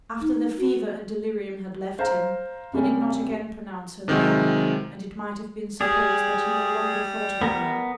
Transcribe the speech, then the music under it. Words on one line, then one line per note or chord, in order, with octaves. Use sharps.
After the fever and delirium had left him, he did not again pronounce her name, and it might have been supposed that he no longer thought of her.
D#4
F#4
C5 F5 A#5
C3 G3 C#4
C3 D#3 F#3 G#3
G3 G#4
B3 A#4 A#5